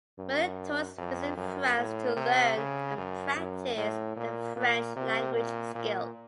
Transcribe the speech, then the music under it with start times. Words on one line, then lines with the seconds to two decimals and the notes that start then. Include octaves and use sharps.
Many tourists visit France to learn and practice their French language skills.
0.18 F#2
0.98 F2
1.37 F#2
1.77 A2
2.17 C3
2.57 C#3
2.97 F#2
3.37 F#2
3.77 A2
4.16 A#2
4.56 A#2
4.96 C3
5.35 A#2
5.75 A#2